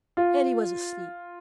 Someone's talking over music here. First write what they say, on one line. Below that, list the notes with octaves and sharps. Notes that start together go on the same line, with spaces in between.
Elly was asleep.
F4